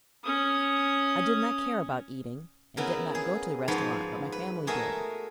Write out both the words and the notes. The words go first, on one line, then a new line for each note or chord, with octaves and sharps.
I did not care about eating, and did not go to the restaurant, but my family did.
C#4 D#6
C#3 B3 E4 A#4
G#4
G#2 F3 B3 B4 C#5 B5
B4
A3 F#4 G#4 A#4 D#5 E5